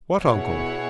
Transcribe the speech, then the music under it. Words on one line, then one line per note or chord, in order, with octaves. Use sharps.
"What uncle?"
B2 E4 G#4 C#5 F#5